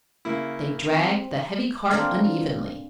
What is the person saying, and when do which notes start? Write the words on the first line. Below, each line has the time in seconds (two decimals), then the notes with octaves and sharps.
They dragged the heavy cart unevenly.
0.25 C#3 A#3 E4
0.89 C4
1.90 A#3 C4 D4 A4 A#4 D5